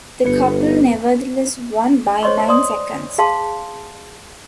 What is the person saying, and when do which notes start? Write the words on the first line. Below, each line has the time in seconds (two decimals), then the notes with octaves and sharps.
The couple nevertheless won by nine seconds.
0.25 G1 B3 B4 C#7
2.23 C5 C#5 D#5 C6 C#6
2.48 D5 C6 D#6
3.18 G#4 F5 A5 C6